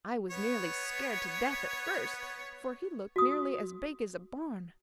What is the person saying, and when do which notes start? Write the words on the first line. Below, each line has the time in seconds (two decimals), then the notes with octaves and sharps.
I was nearly scared to death at first, for he looked nearly as big as a barn.
0.30 B3 C#5
3.16 F#4 D#6